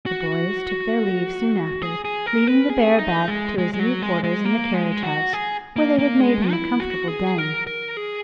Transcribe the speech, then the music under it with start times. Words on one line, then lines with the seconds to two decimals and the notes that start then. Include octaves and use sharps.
The boys took their leave soon after, leading the bear back to his new quarters in the carriage house, where they had made him a comfortable den.
0.06 F#4
1.82 G#4
2.05 G#4
2.26 A#4
2.47 B4
2.70 G#4
2.99 D#4
3.28 G#3
3.58 G#3
3.74 G#3
3.79 F#3
4.02 G#3
4.24 G#3
4.45 A#3
4.74 G#3
5.03 F#4
5.33 G#4
5.76 A#3
5.99 A#3
6.20 G#3
6.51 E4
6.80 F#4
7.08 G#4
7.38 A#4
7.67 A#4
7.97 G#4